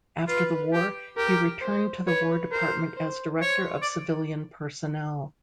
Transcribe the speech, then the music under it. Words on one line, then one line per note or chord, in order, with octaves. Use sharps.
After the war, he returned to the War Department as director of civilian personnel.
F4 B4
G4
G4 A#4
C5
B4 C#5
A#4 C5
C5
C5 C#5
D5